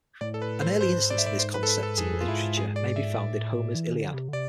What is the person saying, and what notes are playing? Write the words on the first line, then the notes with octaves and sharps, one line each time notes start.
An early instance of this concept in literature may be found in Homer's "Iliad".
A2 D5
A4
B4
C5
G#2 C5
D5
E5
D5
C5
B4
A4
B4
A4
F2 G#4
F4
G#2 E4
G#4
D5
E5
A2
E3
D3
C3
D3
C3 D5